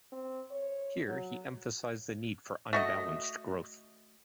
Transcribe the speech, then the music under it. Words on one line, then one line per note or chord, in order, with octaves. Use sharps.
Here he emphasized the need for unbalanced growth.
C4
C#5
F#3
A3 F#4 D#5